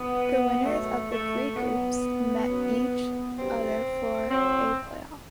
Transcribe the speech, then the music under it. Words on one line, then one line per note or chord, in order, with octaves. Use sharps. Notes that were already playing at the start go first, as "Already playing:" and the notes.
The winners of the three groups met each other for a play-off.
Already playing: B3
B2 F#3 A3
A3
B2 F#3 B3
F#2 F#3
F#2 E3 G3 C4
A2 F#3 C4